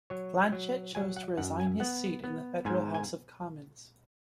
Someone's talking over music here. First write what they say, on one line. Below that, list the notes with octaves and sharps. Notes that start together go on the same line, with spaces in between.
Blanchet chose to resign his seat in the federal House of Commons.
F#3 C#5
F#3
F#3 G#5
F#5
F#2 F#5
G#5
B3 F#5
B3
G#2 G#5
G#5